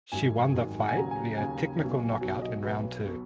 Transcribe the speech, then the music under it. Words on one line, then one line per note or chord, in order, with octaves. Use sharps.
She won the fight via technical knockout in round two.
G#1 G#2 D#3 F#3 G#5
G#1 G#2 D#3 F#3
F#5
G#5
D#2 C#3 F#3 A#5
G#5
A#5
D#2 C#3 F#3 G#5
B1 B2 F#3
B1 B2 F#3
D#5
B1 B2 F#3 B4
B2 F#3